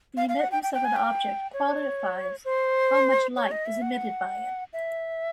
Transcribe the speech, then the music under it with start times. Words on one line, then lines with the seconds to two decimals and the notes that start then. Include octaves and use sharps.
The emittance of an object quantifies how much light is emitted by it.
0.17 F5
0.29 F5
0.39 F#5
0.52 G5
0.63 G5
0.74 G5
0.85 G#5
0.96 G5
1.54 C#5
2.45 C5
3.37 C#5
3.51 D#5
3.66 E5
3.82 F#5
4.73 E5